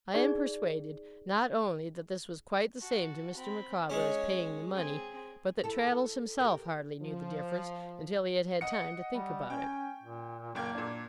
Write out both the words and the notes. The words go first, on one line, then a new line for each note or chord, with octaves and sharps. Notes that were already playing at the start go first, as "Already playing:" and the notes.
I am persuaded, not only that this was quite the same to Mr. Micawber as paying the money, but that Traddles himself hardly knew the difference until he had had time to think about it.
D#4 G#4 D5
F#4 A5
C4 B5
G#3 C#4 C#5
C4 G#4
E4 A4
A4
G4 A#4
F3
D#5 F#5 C#7
G3
C#4 G5
A#2
F#1 A#3 G5 G#6
A#2 D4